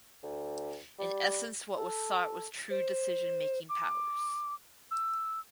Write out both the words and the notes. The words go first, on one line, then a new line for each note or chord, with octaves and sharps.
In essence what was sought was true decision making powers.
D2
G3
A4
C5
D6
E6